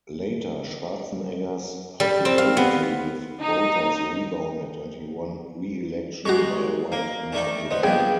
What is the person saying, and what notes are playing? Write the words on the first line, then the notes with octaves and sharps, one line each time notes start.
Later, Schwarzenegger's popularity with voters rebounded and he won reelection by a wide margin.
G3
C4
F5
B3
D#4
G3 G#3 F#4 G#4 A#5 C#6
A#3 A#4
D#3 A3 D#4 D5
B3 C5 D#5
G2 F3 A#3 B3 G#4 G5